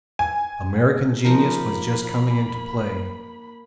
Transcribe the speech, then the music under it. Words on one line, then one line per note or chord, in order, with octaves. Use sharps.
American genius was just coming into play.
G#5
F3 A#3 D#4 A#4 B5